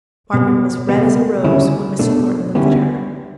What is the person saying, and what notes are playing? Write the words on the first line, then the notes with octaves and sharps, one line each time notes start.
Margaret was red as a rose when Mr. Thornton looked at her.
B2 G3 B3
C#2 B2 G3 B3
D2 C#3 G3 C#4 E4
B2 A3 D4
D2 D3 G3 B3 C#4 E4